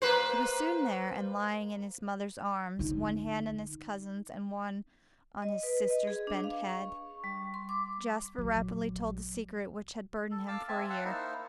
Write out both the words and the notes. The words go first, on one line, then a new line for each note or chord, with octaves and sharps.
She was soon there, and, lying in his mother's arms, one hand in his cousin's, and one on his sister's bent head, Jasper rapidly told the secret which had burdened him for a year.
A#3 B4 C5
D3 D#4
D#5
B4
D#5
G#4
D4
F5
C#6
G3
C6
D6
A#1 F#3
A4
F5 A5 D6 E6
C4 E5 G#5 A5
F5 F#5 A5 E6
A#3 D#4 E4 C5